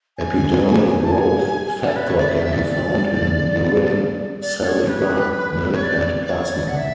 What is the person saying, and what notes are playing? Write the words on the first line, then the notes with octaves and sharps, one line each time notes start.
Epidermal growth factor can be found in urine, saliva, milk, and plasma.
G#5
A5
G#5
A4
B4
C#5
D5
E5
E5
D5
D5
C#5
B4
C#5
D5
D5
C#5
D5
F#5
E5